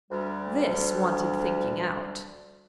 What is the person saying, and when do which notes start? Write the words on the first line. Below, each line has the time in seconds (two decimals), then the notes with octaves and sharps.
This wanted thinking out.
0.11 D2 G3